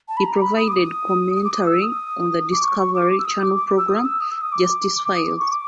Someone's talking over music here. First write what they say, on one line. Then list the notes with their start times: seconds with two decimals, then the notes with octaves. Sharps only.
He provided commentary on the Discovery Channel program "Justice Files".
0.09 A5
0.17 B5
0.25 A#5
0.41 B5
0.56 D#6
0.68 D6
0.72 D#6
1.36 D#6
1.45 D6
1.52 D#6
1.67 E6
1.83 D#6
2.51 D6
2.62 C#6
2.79 C#6
2.94 D6
3.19 E6
3.25 D#6
3.42 D6
3.57 D6
3.78 E6
3.88 D#6
4.05 E6
4.21 D#6
4.31 E6
4.41 D#6
4.52 D6
4.68 D6
5.15 D#6
5.27 D6
5.39 C#6
5.51 D6